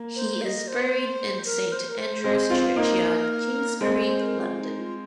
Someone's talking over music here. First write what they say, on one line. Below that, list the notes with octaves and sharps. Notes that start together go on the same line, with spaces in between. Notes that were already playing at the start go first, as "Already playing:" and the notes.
He is buried in Saint Andrew's Churchyard, Kingsbury, London.
Already playing: A#3
C5
F5
D#5
C5
A#4
C5
A#4
C5
G#3 C4 C5
C4 F4
A#3 D#4
A#4
G#3 C4 C5
C5
A#4
F4
D#4
F4